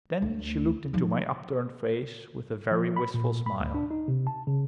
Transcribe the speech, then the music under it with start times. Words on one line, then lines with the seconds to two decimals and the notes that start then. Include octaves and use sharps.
Then she looked into my upturned face with a very wistful smile.
0.22 D2 A3
0.93 F3 D#4
2.71 F3
2.96 B5
3.14 A#2
3.46 B5
3.59 D2
3.74 D4
3.91 D#4
4.08 C3
4.27 A5
4.47 C#3